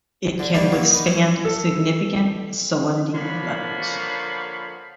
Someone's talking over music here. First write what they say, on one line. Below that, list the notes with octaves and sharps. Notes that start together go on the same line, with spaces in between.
It can withstand significant salinity levels.
D3
D#3 G3 A#3 D4
F#3 A#3
D#4 B4
C#4
A4
D3 F3 A#3 C#5 F5 B5